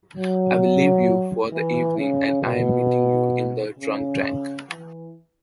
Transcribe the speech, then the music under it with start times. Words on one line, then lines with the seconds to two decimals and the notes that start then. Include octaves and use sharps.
I’ll leave you for the evening and I’m meeting you in the drunk tank!
0.17 F#3
1.52 E3
1.98 C#3
2.43 B2
3.79 C#3
4.69 E3